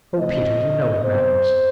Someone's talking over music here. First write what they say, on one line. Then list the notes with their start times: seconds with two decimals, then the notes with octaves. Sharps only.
"O Peter, you know it matters."
0.17 C3 E3 A3 C4 D#5
1.03 C3 F#3 B3 C5